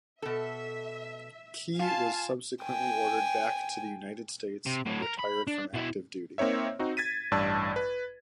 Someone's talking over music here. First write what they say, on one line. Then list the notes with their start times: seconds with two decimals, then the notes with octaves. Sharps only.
Key was subsequently ordered back to the United States and retired from active duty.
0.22 B2 A4 E5
1.79 F4 F5 G#5 A5
2.64 G5 G#5
4.66 C3
4.86 A2 F#3
5.02 A#4
5.19 B5
5.47 D4
5.74 B2 E4
6.38 A#3 C4 D#4 C#5 E5
6.79 C4 D#4 F#4
6.97 G#6 A6 B6 D#7
7.31 A1 G2 D5 A5 E6
7.76 B4